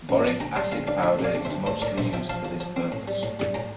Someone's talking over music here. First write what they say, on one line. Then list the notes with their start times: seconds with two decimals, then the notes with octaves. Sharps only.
Boric acid powder is mostly used for this purpose.
0.09 A1
0.24 F3
0.40 D2 G5 A#5
0.56 G3 A5 C6
0.71 D2 F5 A5
0.87 D2 D5 F5
1.03 D2 E5 G5
1.19 C3
1.24 D5 F5
1.35 D2
1.45 C5 E5
1.50 D2
1.66 A2 A4 C5
1.82 A2 A#4 D5
1.98 A#1 C5 E5
2.13 F3 E5 G5
2.29 F3 F5 A5
2.45 F3
2.60 F3
2.76 C4
2.92 A2
3.08 G3
3.23 A2
3.40 G3
3.54 A2 G5 A#5